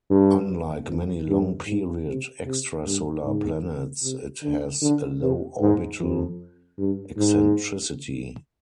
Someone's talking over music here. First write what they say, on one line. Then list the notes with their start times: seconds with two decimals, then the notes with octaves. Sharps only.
Unlike many long-period extrasolar planets, it has a low orbital eccentricity.
0.10 G2
0.88 F2
1.28 G2
1.67 G#2
2.07 C3
2.46 C3
2.85 G2
3.25 G#2
4.03 C3
4.43 D3
4.82 D3
5.21 C3
5.61 G#2
6.00 F2
6.78 G2
7.18 G#2